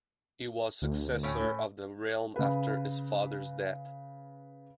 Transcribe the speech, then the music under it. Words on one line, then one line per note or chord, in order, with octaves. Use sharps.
He was successor of the realm after his father's death.
D2
A2 C#4 G5
C#3 B4